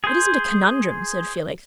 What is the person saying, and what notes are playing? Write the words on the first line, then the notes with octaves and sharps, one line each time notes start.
"It isn't a conundrum," said Felix.
G#4 C5